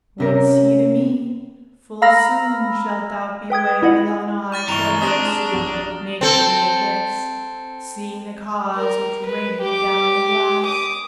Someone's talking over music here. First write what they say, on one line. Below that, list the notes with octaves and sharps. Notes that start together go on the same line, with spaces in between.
Whence he to me: "Full soon shalt thou be where Thine eye shall answer make to thee of this, Seeing the cause which raineth down the blast."
C3 C#4 A#4
F5 A#5 B5 E6 F6 A#6
B4 G5 D#6 G#6
E4 D#5 F#5
C#6 F6 A6
G2 E3 A#5 C#6 F7 G7
C4 D4 G4 D5 D#6 F6 A#6
G#4 C6
A#1 F#3 G3
C4 A4
A#4
B4
G4 D6
D6 D#6